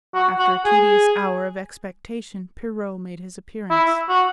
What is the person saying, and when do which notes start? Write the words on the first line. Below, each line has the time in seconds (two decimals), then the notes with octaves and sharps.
After a tedious hour of expectation, Pierrot made his appearance.
0.15 F#4
0.39 F#4
0.66 G#4
3.71 E4
4.09 F#4